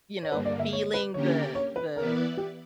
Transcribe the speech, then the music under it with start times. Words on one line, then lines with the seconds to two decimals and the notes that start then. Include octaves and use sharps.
you know, feeling the the
0.23 C#5
0.32 G2 D3 A#3 B4
0.45 D5
0.59 E5
0.73 C#5
0.94 B4
1.14 D3 A#3 C#4 G4 A#4 C#5
1.55 C#5
1.76 B4
1.96 E3 B3 E4 A#4 B4 D5
2.37 G4